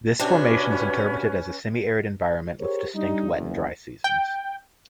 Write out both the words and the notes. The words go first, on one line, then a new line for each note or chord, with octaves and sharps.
This formation is interpreted as a semiarid environment with distinct wet and dry seasons.
C3 C#4 D4 F#4 B4
G4 G#4 A#4 C5 C#5
G3 D4 D#4
F#1 E2
G5